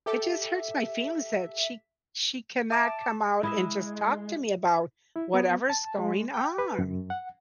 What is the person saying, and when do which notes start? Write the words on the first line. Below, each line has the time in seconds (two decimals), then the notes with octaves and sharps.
It just hurts my feelings that she she cannot come out and just talk to me about whatever's going on.
0.06 G4 A4 E5
2.70 E5 A5 D6
3.43 G#3 E4 D#5 E5
5.16 E4
5.34 B3
5.70 A5
5.98 G#3
6.34 G5
6.58 B4
6.79 F#2
7.10 F#5